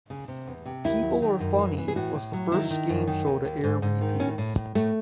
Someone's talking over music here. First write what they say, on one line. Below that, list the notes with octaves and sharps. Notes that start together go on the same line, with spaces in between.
"People Are Funny" was the first game show to air repeats.
C#3
C3
E2
C3
D#2 E4
F#3
D#3
F#2
E3
E3
G#4
A2 F#4
A2
F#3
D#3 E4
D#3
F#2
D#3
D#2
D#2
G#2
G#2
D#3
A2 C#4
A2
A2
A2 A3